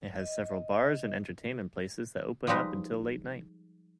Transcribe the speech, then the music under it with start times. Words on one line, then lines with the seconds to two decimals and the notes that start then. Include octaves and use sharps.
It has several bars and entertainment places that open up until late night.
0.20 D#5
2.47 F3 G3 G#3 D#4 B4